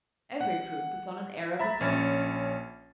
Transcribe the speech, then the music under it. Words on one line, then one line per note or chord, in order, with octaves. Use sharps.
Every prude puts on an air of repugnance.
F#5
E5 A#5 B5 A6
A#1 C#4 C#5 A6